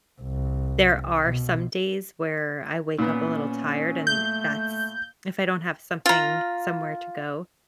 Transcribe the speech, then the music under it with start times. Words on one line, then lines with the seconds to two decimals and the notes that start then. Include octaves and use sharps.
There are some days where I wake up a little tired, and that's if I don't have something somewhere to go.
0.22 C2
1.24 B2
2.99 A#2 B3 C#4
4.07 A3 G6
6.06 F4 A#5